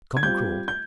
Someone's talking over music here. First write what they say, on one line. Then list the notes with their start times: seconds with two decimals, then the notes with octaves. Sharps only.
Come, cruel!
0.17 G#6
0.22 G3 C4 F4 G6
0.68 G6